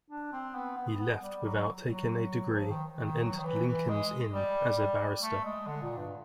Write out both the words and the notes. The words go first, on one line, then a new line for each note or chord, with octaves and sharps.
He left without taking a degree, and entered Lincoln's Inn as a barrister.
D4
C4
B3
B3
B3
B3
G3
F#3
F#3
E3
F3
D#3
D#3
F#3
D#3
E3
E3
G#3
G3
G3
A3
G#3
D3
A#2
G2